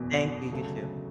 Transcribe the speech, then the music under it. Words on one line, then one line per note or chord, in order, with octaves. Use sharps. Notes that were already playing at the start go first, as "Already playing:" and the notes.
Thank you, you too.
Already playing: F#1 E2 B2
D2 C#3 F#3 A3